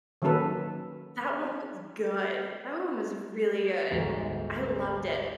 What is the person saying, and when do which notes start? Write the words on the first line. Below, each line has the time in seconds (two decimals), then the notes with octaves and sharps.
That one was good, that one was really good. I loved it.
0.22 D#3 F#3 A#3 C#4 A4 B4
3.91 G1 D2 G#2 D3